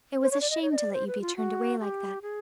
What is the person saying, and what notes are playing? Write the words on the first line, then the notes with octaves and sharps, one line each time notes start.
It was a shame to let you be turned away like that.
C5
C#5
D5
D#5
C#5
D#5
D5
C5
B4
F4
F#4
G4
G#4